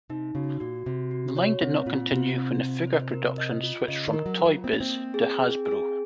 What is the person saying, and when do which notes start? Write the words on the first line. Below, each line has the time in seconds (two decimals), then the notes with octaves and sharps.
The line did not continue when figure production switched from Toy Biz to Hasbro.
0.10 C3 D#4
0.35 C#3 F#4
0.60 A#2 F#4
0.86 C3 F#4
1.11 F#4
1.37 C#5
1.62 C3 C4
1.86 A#2 F4
2.12 C3 C4
2.38 C5
2.62 F4
2.87 C5
3.13 A#4
3.38 D#5
3.63 F4
3.88 C#3 D#5
4.08 D#3
4.13 A#4
4.26 F#3
4.39 F4
4.46 F#3
4.64 A#3 C4
4.73 C#4
4.80 C4
4.89 A#3
5.14 G#4
5.40 G#4
5.65 G#4